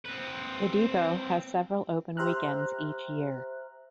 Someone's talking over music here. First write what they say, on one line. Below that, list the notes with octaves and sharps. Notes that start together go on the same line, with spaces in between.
The depot has several open weekends each year.
C4 B4
G4 C5 E5 A#5 F6 F#6